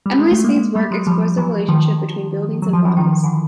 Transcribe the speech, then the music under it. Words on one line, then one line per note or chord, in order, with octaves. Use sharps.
Emily Speed’s work explores the relationship between buildings and bodies.
G3
G#3
A3
G#3 A#3
G3 A3
F#3 G#3
F3 G3
E3 F#3
D#3 F3
F#3
F3
E3
D#3 F3
D#3
D3 E3